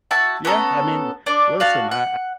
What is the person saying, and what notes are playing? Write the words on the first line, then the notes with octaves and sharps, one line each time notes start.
Yeah. I mean, listen. I
E4 F#4 A5 E6
B3 C#4 A4 A#5
D4 D5
F#4 F5 A5
F#5